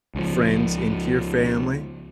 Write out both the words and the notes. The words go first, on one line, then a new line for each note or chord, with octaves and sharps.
friends into your family,
C#2 F3